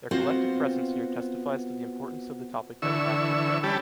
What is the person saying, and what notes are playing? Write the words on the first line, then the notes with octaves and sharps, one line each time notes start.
Their collective presence here testifies to the importance of the topic that we have to address.
B3 C4 F4 F#4 C5
D3 E3 C#6 E6
G3 C#4 G4 A5 B5